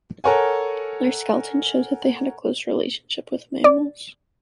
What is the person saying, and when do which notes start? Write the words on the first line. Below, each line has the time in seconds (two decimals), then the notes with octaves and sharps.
Their skeleton shows that they had a close relationship with mammals.
0.24 A4 A#4 C#5 F#5 G#5
3.64 D5